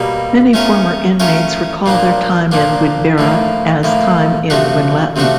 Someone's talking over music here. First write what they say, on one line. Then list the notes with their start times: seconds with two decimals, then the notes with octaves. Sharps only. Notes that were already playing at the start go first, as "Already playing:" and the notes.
Many former inmates recall their time in Winbirra as time in Winlaton.
Already playing: B2 G3 A#3
0.54 A3 C#4 F4 A#4 C#5
1.20 A3 C#4 F4 A#4 C#5
1.86 A#2 F3 A#3 D4
2.52 A#2 F3 A#3 D4
3.18 A2 F3 A#3
3.83 A2 F3 A#3
4.50 C3 F3 A3 D4 F#4
5.16 C3 F3 A3 D4 F#4